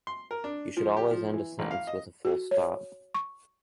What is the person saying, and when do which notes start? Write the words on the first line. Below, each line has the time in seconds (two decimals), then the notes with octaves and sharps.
You should always end a sentence with a full stop.
0.07 C6
0.31 A#4
0.44 D4
0.77 F3
0.97 G4
1.11 F3
1.33 E3
1.59 A1
1.71 F5
1.87 D#5
2.25 F#4
2.51 C#5
3.14 C#6